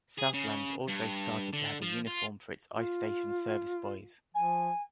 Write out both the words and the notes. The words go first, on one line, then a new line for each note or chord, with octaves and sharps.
Southland also started to have a uniform for its ice station service boys.
G#4
C#3
G2
D3
F3
F4
F4
F3 G#5